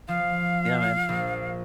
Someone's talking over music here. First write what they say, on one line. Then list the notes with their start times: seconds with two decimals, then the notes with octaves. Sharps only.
Yeah man.
0.08 F3 F5
1.09 A#1